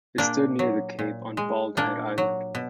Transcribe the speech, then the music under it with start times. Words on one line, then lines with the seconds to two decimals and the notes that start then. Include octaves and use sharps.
It stood near the cape on Bald Head Island.
0.18 A#2 A#3 D4
0.59 F#3
0.99 A#2
1.37 G#3
1.77 A#2 A#3 D4
2.18 F#3
2.55 B2